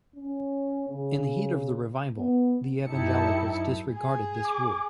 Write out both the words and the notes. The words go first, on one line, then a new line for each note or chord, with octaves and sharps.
In the heat of the revival, the evangelicals disregarded this rule.
C#4
C#3
B3
F#2 D#4 E4 G4 A5 C#7
G#4
D6